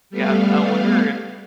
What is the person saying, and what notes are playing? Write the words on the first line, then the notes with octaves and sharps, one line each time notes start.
Yeah. I wonder if
G3 A3 B3 F5